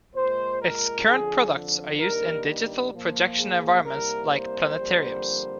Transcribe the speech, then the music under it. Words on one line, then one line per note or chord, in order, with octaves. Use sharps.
Its current products are used in digital projection environments like planetariums.
A#2 G#3 C5
A#4
F2 D3 F3 G#4
G2 D#3 G3 A#3 A#4
A#2 F3 A#3
G#4
C2 C3 G3 A#3 A#4
C5
F2 D3 G3 A#3